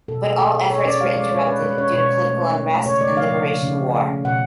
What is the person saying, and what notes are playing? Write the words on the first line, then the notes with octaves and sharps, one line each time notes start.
But all efforts were interrupted due to political unrest and liberation war.
B2 A4
A3 G#4
A3 A4
A3 A4
B2 C#5
C#4 D5
G#3 F5
G#3 D5
G#3 C#5
C#4 B4
G#3 B4
C#4 C#5
B2 C#5
C#4
A3
C#4
C#4
A3
C#3 C#5
A3 D5
F3 F5
C#3
C#3
C#3
C#4
A3
C#4
B2 F#5